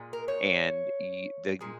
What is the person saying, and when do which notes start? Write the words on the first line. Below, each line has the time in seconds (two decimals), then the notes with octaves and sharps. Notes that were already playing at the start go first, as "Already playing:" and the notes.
and y the
Already playing: A#2 G#3
0.13 A#4
0.28 C#5
1.61 A#2 G#3